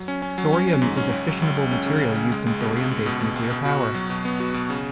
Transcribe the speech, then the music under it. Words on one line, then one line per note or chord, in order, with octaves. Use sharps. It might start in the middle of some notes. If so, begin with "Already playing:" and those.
Thorium is a fissionable material used in thorium-based nuclear power.
Already playing: F#3
C#4
C#4
F#3
C#4
C#4
G#2
C#4
C#2
F#3
C#2
C#2
C#4
C#3
C#3
C#4
G#3
C#2
B2
C#2
C#2
B2
B2
C#2
B2
F#4
F#4
F#3
B2
B3
F#4
B2
C#3